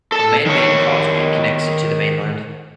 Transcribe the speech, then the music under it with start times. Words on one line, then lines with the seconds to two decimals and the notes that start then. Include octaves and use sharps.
A man made causeway connects it to the mainland.
0.12 A4 A5
0.46 D#3 C#5